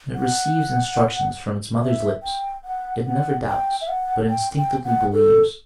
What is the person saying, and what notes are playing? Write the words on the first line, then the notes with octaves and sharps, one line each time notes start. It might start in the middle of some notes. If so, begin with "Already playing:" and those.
When it receives instructions from its mother's lips it never doubts, but instinctively believes.
F#5
E5
G5
F#5
F#5
G5
E5
F#5
G5
G5
F#5
A4